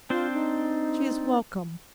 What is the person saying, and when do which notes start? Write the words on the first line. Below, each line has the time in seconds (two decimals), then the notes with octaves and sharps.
"She is welcome."
0.10 C4 D4 F4 C5
0.33 D#4